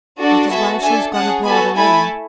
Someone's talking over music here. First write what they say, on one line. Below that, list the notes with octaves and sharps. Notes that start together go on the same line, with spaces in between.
That is why she has gone abroad alone.
D4 F#4 A4
B3 F#4 A4 E5 G#5
D4 A4 E5 G#5
C#4 G#4 F#5 A5
B3 F#4 A4 G#5 B5
A3 E4 A4 G#5 B5